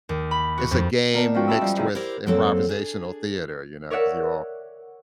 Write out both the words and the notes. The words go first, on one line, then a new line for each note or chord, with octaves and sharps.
it's a game mixed with improvisational theater, you know, 'cause you all
D#2
B5
F#4
F2
D#3 B3 A#4 D5 A5
F3 B3 C#4 F4 F#4 G5
E5 A5 B5 D#6 E6
G#2 F3 G3
C3 D#3 F3 E4 G#4
E4 G4 A#4 C5 D5
F#2 F#3 A#3 C4 A4 C5
D4 G#4
A#4 C#5 D5 E5 F#5